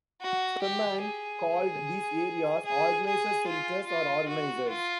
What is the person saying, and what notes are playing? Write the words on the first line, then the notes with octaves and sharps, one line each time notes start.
Spemann called these areas "organiser centres" or "organisers".
F#4
G4
G#4
G#4
G#4
F4
F4
F#4
F4